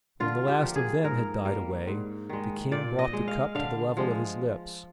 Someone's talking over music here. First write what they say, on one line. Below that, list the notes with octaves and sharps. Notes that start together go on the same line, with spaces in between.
When the last of them had died away, the king brought the cup to the level of his lips.
D3 F4
G4
F3 A#3
G#4
G#2 A#4
G3 A#3
G#2
D#3 G#3
A#2 D5
D#5
G#3
F5
D3 F5
F3 G#3